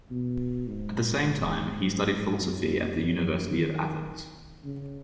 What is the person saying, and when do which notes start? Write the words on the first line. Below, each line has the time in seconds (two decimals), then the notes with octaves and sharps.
At the same time, he studied philosophy at the University of Athens.
0.10 B2
0.67 G#2
2.38 F#2
2.95 F#2
3.51 D#3
4.65 C#3